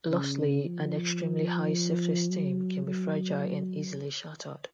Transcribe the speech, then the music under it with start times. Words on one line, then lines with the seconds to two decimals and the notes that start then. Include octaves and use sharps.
Lastly, an extremely high self-esteem can be fragile and easily shattered.
0.10 C#3
0.67 F3
2.31 F#3
2.86 F#3